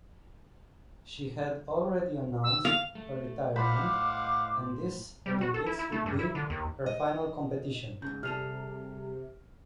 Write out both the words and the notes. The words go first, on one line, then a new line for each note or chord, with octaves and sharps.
She had already announced her retirement and this Olympics would be her final competition.
E6
F5 F7
A3
A2 C5 D#5 F5 F#5 B5 D6
G3
F#4
A4
E4
E4
A3
G2
E4
D3
D#2
D#5
G#2 C#3 G6
C3 G3 G#4 A4 F6 C7 F7